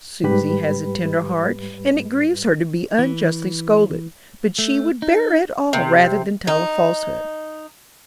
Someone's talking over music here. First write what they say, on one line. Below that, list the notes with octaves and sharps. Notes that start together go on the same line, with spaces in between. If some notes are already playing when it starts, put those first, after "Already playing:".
Susy has a tender heart, and it grieves her to be unjustly scolded; but she would bear it all rather than tell a falsehood.
G#2 G3 G4 B4 B5
E3
A3
D#4
C3
D#4